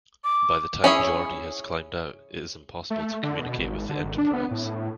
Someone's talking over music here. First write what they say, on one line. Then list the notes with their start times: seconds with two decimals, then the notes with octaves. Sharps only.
By the time Geordi has climbed out, it impossible to communicate with the "Enterprise".
0.24 D6
0.84 C#4 E4 G#4 C#5
2.90 A3
3.23 D3
3.40 B2
3.58 G#1
3.89 D3
4.04 G#1
4.18 D4
4.33 B3
4.51 A2